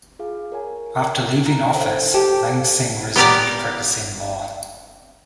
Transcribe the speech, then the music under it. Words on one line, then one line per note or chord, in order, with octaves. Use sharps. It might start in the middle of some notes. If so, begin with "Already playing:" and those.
After leaving office Lansing resumed practicing law.
F4 G#4 F5
A#4 C#5 G#5
A#5
A4 C5 C#5
G4 G5 A5
B3 G4 A#4 D5